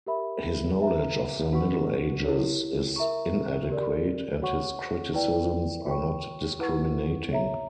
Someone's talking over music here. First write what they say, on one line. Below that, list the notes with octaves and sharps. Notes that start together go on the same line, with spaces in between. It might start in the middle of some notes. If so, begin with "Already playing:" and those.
His knowledge of the Middle Ages is inadequate, and his criticisms are not discriminating.
G4 A#4 E5 B5
B4 E5 A#5
D4 F#4 B4 F#5 C#6
E4 G4 A#4 C#5
A#4 E5 A#5 C#6
G4 A#4 D5
F#4 C#5 F#5 C#6
E4 B4 D5 G5
F#4 C#5 G5 C#6
E4 B4 F#5 C#6
C#5 E5 A#5